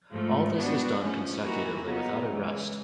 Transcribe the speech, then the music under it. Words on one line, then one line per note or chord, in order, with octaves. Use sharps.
All this is done consecutively without a rest.
G#2 F3 A3
G3 B3 D4 F#4
G#2 F3 A3 C#4
E3 G3 A#3 D#4 F#4
C#3 F#3 B3 D#4
C#3 E3 G#3